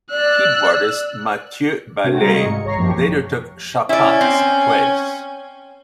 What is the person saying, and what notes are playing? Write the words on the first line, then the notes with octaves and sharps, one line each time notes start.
Keyboardist Matthieu Ballet later took Chapat's place.
D5 E6 F#6
C3 A3 C4 F#4
G3 C4 G#4 F5 A#5 G#6
D#5 C#6 C#7
G#2
G#1 C#5 A#5 C#6 A#6 C7
A1 F#2 F3 A#3 G4 C#6
C#4 E4 D5
C4